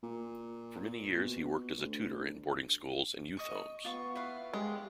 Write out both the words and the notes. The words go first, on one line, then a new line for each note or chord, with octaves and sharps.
For many years he worked as a tutor in boarding schools and youth homes.
A#2
B2
D2
D#5 C#6
B3 F4 C#6
E4 B4 F5
G#3 G4